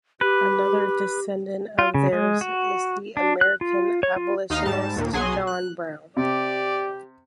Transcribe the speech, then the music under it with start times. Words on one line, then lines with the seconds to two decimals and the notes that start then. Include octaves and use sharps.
Another descendant of theirs is the American Abolitionist, John Brown.
0.21 G4 B4
1.79 F4
1.94 C#3
2.13 G#3
2.41 F#4
3.17 D4
3.41 F#6
3.61 F4
4.03 C#5
4.16 F4
4.50 D#2 D#4 D#5 F5 F6
4.66 G#2 G3 A5 E7
4.96 D#2 A#2
5.13 B1 F#3 G#4 G#5 C6
5.47 F#6
6.17 C3 G4 D5